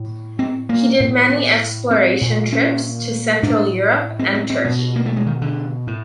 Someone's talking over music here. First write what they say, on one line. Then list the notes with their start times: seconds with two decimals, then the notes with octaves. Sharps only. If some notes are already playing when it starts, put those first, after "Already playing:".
He did many exploration trips to Central Europe and Turkey.
Already playing: A2
0.39 C4
0.69 A#3
1.00 A2
1.30 B3
1.91 C4
2.21 A#2
2.52 C#4
3.43 A2 D4
4.19 C4
4.35 C4
4.50 C4
4.65 B2 B3
4.96 A#3
5.06 A3
5.16 G#3
5.26 D#3
5.42 D3
5.87 A2